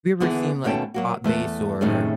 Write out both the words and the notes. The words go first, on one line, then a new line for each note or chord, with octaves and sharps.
have you ever seen, like, Pop Bass or
D3 E3 B3 E4 G#4
D#2 B2 A3 C#4 G5 A5
F#3 A#3 F#4
E2 A3 B4
A2 C3 D#3 A3 C#4 G#4